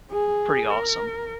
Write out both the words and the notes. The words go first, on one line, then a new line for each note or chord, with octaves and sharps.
pretty awesome.
G#4
A#4